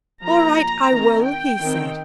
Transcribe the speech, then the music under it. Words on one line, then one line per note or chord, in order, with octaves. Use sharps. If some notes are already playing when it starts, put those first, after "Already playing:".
"All right, I will," he said.
F3 A#3 A#5
D#3 C4
G5
D#3 C4